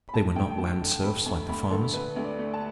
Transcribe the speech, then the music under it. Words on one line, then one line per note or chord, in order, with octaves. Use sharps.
They were not land serfs like the farmers.
B5
A3 A5
D2 G5
G5
D2 A5
D3
D2 B5
D2 A5
D2 B5
D3 A4
D3 B4
D2
D5
A3
A5